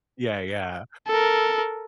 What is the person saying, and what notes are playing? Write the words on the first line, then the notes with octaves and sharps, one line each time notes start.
Yeah, yeah,
A4 A#4